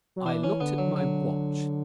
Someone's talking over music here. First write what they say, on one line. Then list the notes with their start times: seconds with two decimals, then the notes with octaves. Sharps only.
I looked at my watch.
0.16 F#3
0.25 E3 D4
0.44 C#4
0.60 D3 B3
0.78 F#3
0.96 F#3